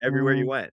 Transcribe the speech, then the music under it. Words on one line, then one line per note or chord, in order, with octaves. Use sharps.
Everywhere you went.
C#3